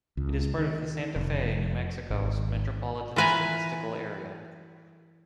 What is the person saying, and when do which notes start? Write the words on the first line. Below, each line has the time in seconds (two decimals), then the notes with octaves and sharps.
It is part of the Santa Fe, New Mexico Metropolitan Statistical Area.
0.17 C#2
0.58 D#3
1.16 F1
2.10 G#1
3.16 E3 F4 B4 G#5 A#5